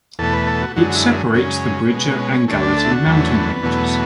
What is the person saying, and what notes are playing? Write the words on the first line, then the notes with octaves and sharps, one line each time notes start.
It separates the Bridger and Gallatin mountain ranges.
E2 B2 A3 A4
B4
A4
F#4
F#2 D3 G#3 F#4
F#4
E4
F#2 C#3 G#3 C#4
B2 G#3
C#4
C#4
C#4
D2 D3 A3 C#4
D4
A4
E4
F#4
E2 D3 F#3 A3
C#4
B3
B3
E2 B2 F#3 A3